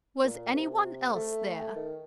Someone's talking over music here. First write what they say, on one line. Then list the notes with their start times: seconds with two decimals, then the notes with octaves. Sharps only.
Was any one else there?
0.24 A#2
0.54 C3
1.15 A3
1.46 A3
1.76 D#3